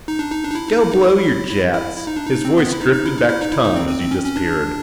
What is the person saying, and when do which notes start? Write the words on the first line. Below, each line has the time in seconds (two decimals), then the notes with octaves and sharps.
"Go blow your jets," his voice drifted back to Tom as he disappeared.
0.08 D#4
0.19 D4
0.31 D#4
0.44 D4
0.50 D#4
0.55 E4
0.67 D#4
0.79 E4
0.91 D#4
1.03 E4
1.50 E4
1.73 E4
1.97 E4
2.07 D#4
2.16 D4
2.26 D#4
2.45 C4
2.58 B3
2.73 E4
2.81 D#4
2.93 D#4
3.05 E4
3.17 D#4
3.28 E4
3.41 D#4
3.52 E4
3.65 D#4
3.76 C4
3.88 C4
4.00 C4
4.11 C#4
4.24 C#4
4.36 D4